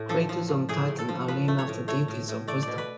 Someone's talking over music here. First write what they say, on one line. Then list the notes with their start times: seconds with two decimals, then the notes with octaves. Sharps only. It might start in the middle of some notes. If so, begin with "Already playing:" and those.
Craters on Titan are named after deities of wisdom.
Already playing: A2 A3
0.09 F3 A4
0.29 F3
0.48 F3
0.69 A2 G#4
0.88 A2
0.99 A4
1.09 F3
1.28 F3 B4
1.48 A3
1.59 C#5
1.68 A2
1.88 A3 C#5
2.08 A2
2.29 A2
2.48 A3 D5
2.63 B2 D5
2.78 B4